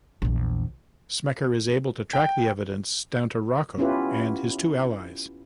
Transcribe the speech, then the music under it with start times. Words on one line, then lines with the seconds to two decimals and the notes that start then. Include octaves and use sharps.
Smecker is able to track the evidence down to Rocco and his two allies.
0.22 A#1 E2
2.13 G5
3.78 B3 C#4 E4 F4 G4 B4